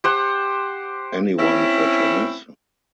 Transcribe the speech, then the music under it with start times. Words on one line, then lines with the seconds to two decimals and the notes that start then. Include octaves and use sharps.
Anyone for tennis?
0.04 G4 C5 F#5
1.38 C4 C#4 E4